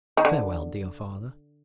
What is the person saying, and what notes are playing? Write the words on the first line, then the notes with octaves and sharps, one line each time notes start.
Farewell, dear father!
D#3
D3